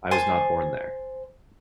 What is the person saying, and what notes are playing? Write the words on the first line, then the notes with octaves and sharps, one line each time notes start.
I was not born there...
C5 G#5 A5